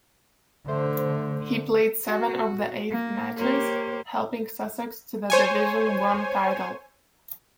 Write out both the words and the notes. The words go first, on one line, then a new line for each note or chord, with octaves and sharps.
He played seven of the eight matches, helping Sussex to the Division one title.
D3 A3 C5
F#4
A#3
A#3 G4 C5 C#5
C5 C#5 G#5